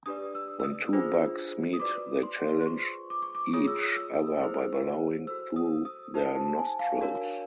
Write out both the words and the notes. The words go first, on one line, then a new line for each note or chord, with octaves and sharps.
When two bucks meet they challenge each other by blowing through their nostrils.
D4 G4 B4 D5 D#6
E6
E6
D#6
D4 F4 G#4 C5
D#6
F#4 B4 D5 D6
C6
C6
F4 G#4 C5 C#6
D6
C#6
D6
F4 G#4 C#5 D#6
E6
D#6
E6
E4 G#4 C5
F#4 A4 C5 E6
D#6
D#6
D#4 G4 C5 A5
A5
G#5
F5
D4 F#4 A#4 C#5